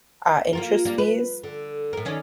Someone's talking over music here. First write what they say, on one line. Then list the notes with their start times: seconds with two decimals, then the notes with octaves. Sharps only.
uh, interest fees,
0.53 A#3 F4 A#4
0.85 G3 A#3 D4
0.98 B4
1.43 D3
1.93 A2 A#4
2.05 D#3 C#4 D4